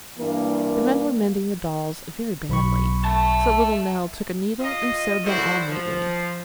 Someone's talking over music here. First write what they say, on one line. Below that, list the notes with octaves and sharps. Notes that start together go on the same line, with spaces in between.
The men were mending the dolls very badly, so little Nell took a needle and sewed them all neatly.
G2 E3 A#3
B1 B5 C#6
E5 A5
F4 D#5
F#3 G3 A3 E4 F#4 C5
F3